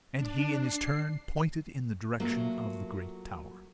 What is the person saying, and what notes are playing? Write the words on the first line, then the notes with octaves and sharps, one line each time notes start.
And he in his turn pointed in the direction of the great tower.
D4
C7
F#3 A3 A#3 F4